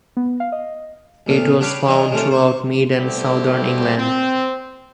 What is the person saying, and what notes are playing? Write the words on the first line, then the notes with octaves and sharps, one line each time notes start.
It is found throughout mid and southern England.
B3
F5
D#5
D2 A#2 A3 B3 F5
D4 G4 B4 C#5 F5 B5
E3 D4 D#4 C#5 D#5
C3 D#3 A3 C#4 D4 F4
C5 C#6
G3 A3 B3 C4 E4 G4
C4